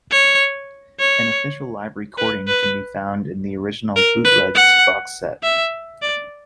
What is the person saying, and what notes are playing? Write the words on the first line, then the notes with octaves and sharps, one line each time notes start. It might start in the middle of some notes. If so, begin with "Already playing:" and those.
An official live recording can be found in "The Original Bootlegs" box set.
C#5
C#5
B4
B4
A#4
B4
F#5
E5
D5